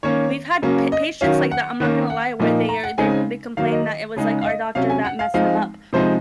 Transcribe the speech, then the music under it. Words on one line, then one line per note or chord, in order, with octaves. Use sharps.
We've had pa patients like that. I'm not gonna lie where they are they they complain that it was, like, our doctor that messed them up.
D#3 A#3 C#4 C#5
C#3 F#3 A#3 C#4
D#5
D#3 F#3 C#4 F5
F#5
D#3 A#3 C#4
F#5
A#2 F3 A#3 D#4
A#5
F#5
C#3 G#3 C4 D#4 G#5
D#3 F#3 A#3 F5
D#5
C#3 G#3 D#4
F5
D#5
C3 F#3 C#4 F5
G#5
F#5
F5
F3 G#3 C4 D#4 F5
C3 F3 G#3 D#4 C5